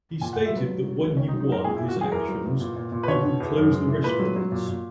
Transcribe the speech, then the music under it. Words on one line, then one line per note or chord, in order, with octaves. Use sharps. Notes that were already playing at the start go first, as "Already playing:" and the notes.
He stated that when he won his actions he would close the restaurants.
A#2 G#5
F#5
A#2
E5
F#3 B4
F#3
F#3
C#2
D#3 C#4
D#4
F#3
D#4
F#2 A#4
A#2 G#4
E4
A#2
F#4
F#3 G#4
E2 A#4
F#3
E2
A#2
A#2
A#2
B4
B2 C#5
B2
E2
F#2
G#3
E3
A#2 B4
F#3
F#3
A#2
A#2